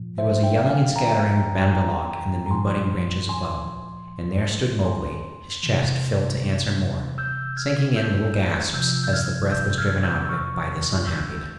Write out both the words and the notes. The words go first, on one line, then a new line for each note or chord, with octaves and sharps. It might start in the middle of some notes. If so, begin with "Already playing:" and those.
There was a yelling and scattering of Bandar-log in the new-budding branches above, and there stood Mowgli, his chest, filled to answer Mor, sinking in little gasps as the breath was driven out of it by this unhappiness.
Already playing: A#2 F3
C5 E5
E5 G5
F5 G#5
G5 A#5
G5
G#5
G5 A#5
A#5
A#2 F3 G#5 C6
G#5 C6
G#5 C6
C3 E3
E6 G6
F6 G#6
E6 G6
C3 F3 E6 G6
G6
F6 G#6
E6 G6
F6 G#6
E6 G6
C#6 F6
E6 G6